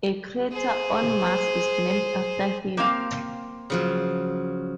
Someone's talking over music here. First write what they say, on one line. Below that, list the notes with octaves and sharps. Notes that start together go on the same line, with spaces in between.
A crater on Mars is named after him.
G#4 C5
A#3 C4 F5 G5
C#3 F3 F#3